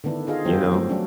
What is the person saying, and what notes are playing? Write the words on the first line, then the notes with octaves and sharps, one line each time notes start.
You know?
D3 D#3 B3 D4 E4
D#4 F4 G#4 D#5 F5
D#3 F#3 B3 G4 A4 C5
F3 G3 A3 C4
F#3 C#4 D4